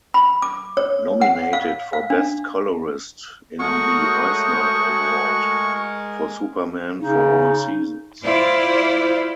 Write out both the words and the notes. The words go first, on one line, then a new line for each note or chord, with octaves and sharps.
Nominated for Best Colorist in the Eisner Award, for "Superman For All Seasons".
B5
D6
C#5
F#5
F5
F5
D4
G#3 A3 F#4 A#4 C#5 C#6 D#6 G6
C#3 D#4
E4 F4 C5 D5